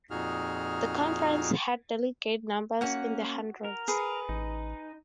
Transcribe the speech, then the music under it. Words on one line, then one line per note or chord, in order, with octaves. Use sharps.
The conference had delegate numbers in the hundreds.
F2 A#2 D#4 F#4 G#4 F6
A#3 C#4 F#4 F#5
A#4
G#4 B4
A1 D#4